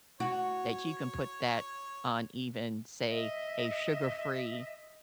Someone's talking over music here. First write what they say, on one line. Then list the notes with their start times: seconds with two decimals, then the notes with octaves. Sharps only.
that you can put that on even, say, a sugar-free
0.20 F#4 C#5
3.07 D#5 E5